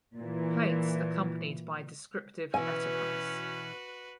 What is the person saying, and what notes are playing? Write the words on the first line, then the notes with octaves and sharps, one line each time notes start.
Plates accompanied by descriptive letterpress.
A#2 E3
B2 E3 C#4 F#4 B4 G#5